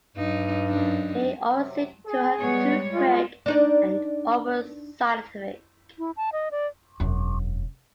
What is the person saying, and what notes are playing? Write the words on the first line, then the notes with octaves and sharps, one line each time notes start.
He always seemed to her too quick and almost scientific.
G2 F#3 D#4
F#2 D4 D#4
C3 F#3
G#4
G3 G#3 B3 C#5
F#1 F#2 G#3 F4
D4 D#4 D5
E4
A5
D#5
D5
E1 F#2